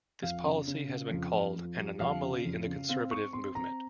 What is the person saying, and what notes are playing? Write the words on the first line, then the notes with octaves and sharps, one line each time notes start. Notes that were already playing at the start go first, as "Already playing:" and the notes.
This policy has been called "an anomaly in the Conservative movement".
F2 F5
C#3
C#3
C#3
F2
F2
F2
G3
F2 F5
C#3
F2
C#3
C4 F5
C4 C#6
C4 C6
C4 A#5